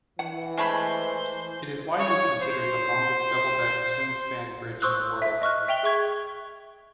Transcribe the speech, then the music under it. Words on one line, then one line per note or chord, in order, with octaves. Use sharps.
It is widely considered the longest double-deck swing-span bridge in the world.
E3 F#5
G#3 A3 C5 B5
C#5
C5
C5 C6 C#6 D#6 E6 F#6
E5
D#5 C#6 F6 F#6
E5 G5 F7 G7
G#4 E5 C#6 G#6